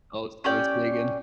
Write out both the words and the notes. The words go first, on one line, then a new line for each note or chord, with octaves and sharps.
Oh, starts digging.
C#4 G4 D5 G5